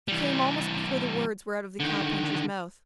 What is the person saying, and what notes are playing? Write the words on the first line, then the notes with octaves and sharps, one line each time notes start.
It came almost before the words were out of the cowpuncher's mouth.
E3 G3
D3 D#3